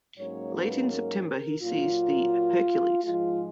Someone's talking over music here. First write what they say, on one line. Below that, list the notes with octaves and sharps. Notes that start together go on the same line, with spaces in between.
Late in September he seized the "Hercules".
G#2 F#3 A#3 C#4 C#5
B4
A#4
A#4
A#2 F#3 A#3 F4
G#2 F3 G#3 F4